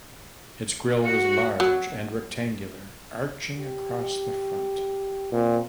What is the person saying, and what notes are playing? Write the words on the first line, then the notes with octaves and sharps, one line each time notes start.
Its grille was large and rectangular arching across the front.
F#4 C#7
F#3
G4
A#2 C4